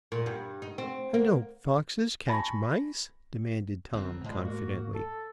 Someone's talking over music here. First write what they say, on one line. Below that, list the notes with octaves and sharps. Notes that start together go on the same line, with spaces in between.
"And don't foxes catch mice?" demanded Tom, confidently.
A#2
G2
D#4
C4
A#3
G#5 A5 B5 C#6 A#6
G1 F2 C4
G#2 F3 G3 G#3
A#3 F#4
A4